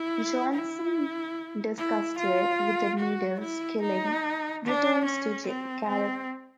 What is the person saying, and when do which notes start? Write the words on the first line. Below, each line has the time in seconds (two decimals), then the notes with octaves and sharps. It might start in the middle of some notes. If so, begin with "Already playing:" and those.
Johnson, disgusted with the needless killing, returns to Caleb.
Already playing: E4
0.54 E4
1.78 E4
2.19 F4
3.00 F#4
3.41 E4
3.82 D#4
4.65 D4
5.05 C#4
5.47 C4
5.87 C4